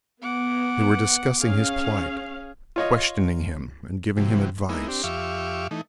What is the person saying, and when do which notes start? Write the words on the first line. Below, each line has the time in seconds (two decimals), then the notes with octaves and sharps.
They were discussing his plight, questioning him and giving him advice.
0.22 B3 F#5 D6
1.41 C#4 G#4 F5
2.76 F4 C#5 D#5
4.17 C3 E3 F#3 G3
4.69 G#3 A#3 B3 D#4 E4
4.88 C4 D4 G4
5.03 F2 G4 E5 F5 C#6 D6
5.71 E3 A3 D#4